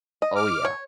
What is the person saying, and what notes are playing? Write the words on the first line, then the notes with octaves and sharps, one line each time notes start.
Oh, yeah.
D#5
D6 F6
C#5